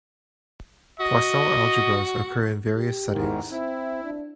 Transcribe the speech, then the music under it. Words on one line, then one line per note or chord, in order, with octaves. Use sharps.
Poisson algebras occur in various settings.
F#4 D#5
G4
E2 G#2 D#3
C4 E4
D4